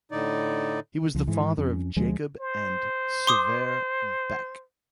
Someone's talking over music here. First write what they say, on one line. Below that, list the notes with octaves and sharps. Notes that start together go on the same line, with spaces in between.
He was the father of Jacob and Sivert Beck.
A2 D3 D#4 D5
C#2 F3
G#2 E3
F2 C#4
D2 F3 G#3
C5
C6 D6 D#6